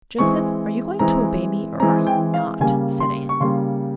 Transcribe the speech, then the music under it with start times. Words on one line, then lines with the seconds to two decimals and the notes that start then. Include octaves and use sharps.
"Joseph, are you going to obey me or are you NOT?" said Anne.
0.19 E3 G#3 C4 C#6
0.99 E3 G#3 C4 A#5
1.80 E3 G#3 C4 A#5
2.07 G5
2.34 F5
2.60 C#3 G3 A#3 G#5
3.00 C6
3.29 C#6
3.40 C#3 G3 A#3 C6